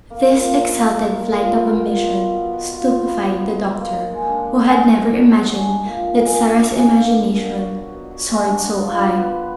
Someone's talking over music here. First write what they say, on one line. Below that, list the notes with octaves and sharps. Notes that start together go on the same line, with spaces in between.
This exalted flight of ambition stupefied the doctor, who had never imagined that Sarah's imagination soared so high.
A#3
F4
A#3
D#4
D5
D5
A#4
F4
B3
A#4
F4
B2
B2
B2
B2
F4
F4
B3
B3
D#4
D#5
A#3
D#4
G#3
D4
D4
G#3
D#5
F#3
D4
F#3
G#3
D#4
A#2
D#4
G#4
D4
D4
G#4
A#3
B2
B2
B2
F#4
F#3
B2
F#3
G#3
D4
D4
F4
B3
B3
B3